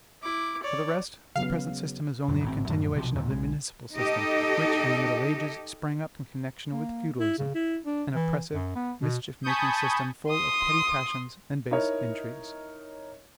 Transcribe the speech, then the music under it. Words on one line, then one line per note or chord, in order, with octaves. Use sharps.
For the rest, the present system is only a continuation of the municipal system, which, in the middle ages, sprang up in connection with feudalism,--an oppressive, mischief-making system, full of petty passions and base intrigues.
E4 D6
C#5 D5
C#3 F#3 B3 F5
D#1 F#2
G#1 A2 C4
F#2 A2 F3
B1 C3 D#3 F3
D#2 A#2 D3
B1 G#3
D#4 G4 A4 D#5
A#3
E4
C#3
E4
D4
E3
F#2
B3
B2
G#5 A5 B5 C#6 D#6 G6
C6 D#6
D#4 E4 A#4 C#5 D#5